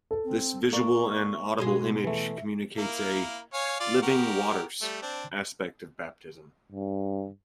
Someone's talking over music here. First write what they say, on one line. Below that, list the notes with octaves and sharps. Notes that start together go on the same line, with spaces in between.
This visual and audible image communicates a "living waters" aspect of baptism.
A4
C4
A#3 D5 C#6
B2 G#3 F#4 G#4
E3 A3 E5
A#3 E4 A#4
C#5 F5 G#5
F4 D5
F#4 G4 A#4
G3 A3
C4 D4
G2